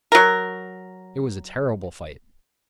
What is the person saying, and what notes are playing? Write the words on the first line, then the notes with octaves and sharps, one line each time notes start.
It was a terrible fight!
F#3 A#4